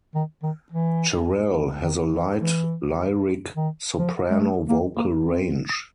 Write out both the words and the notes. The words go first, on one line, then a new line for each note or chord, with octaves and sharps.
Cherrelle has a light-lyric soprano vocal range.
D#3
D#3
E3
D#3
E3
E3
D#3
F3
G#3
A3
A#3
A#3
C4